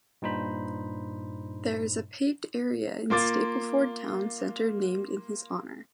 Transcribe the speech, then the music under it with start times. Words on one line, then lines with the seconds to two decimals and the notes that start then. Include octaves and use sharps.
There is a paved area in Stapleford town centre named in his honour.
0.22 G2 A#2 D#4 C5 B5
3.10 A#3 F4 D6 A6